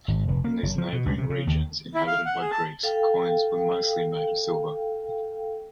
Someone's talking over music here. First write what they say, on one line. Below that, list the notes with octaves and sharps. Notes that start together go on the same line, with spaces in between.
In these neighbouring regions, inhabited by Greeks, coins were mostly made of silver.
G#1
F1
A#3
F#1
F3
B2
C#2
C3
C#3
D#2
E4
F5
F#5
G#4
A5
A4 F5 G5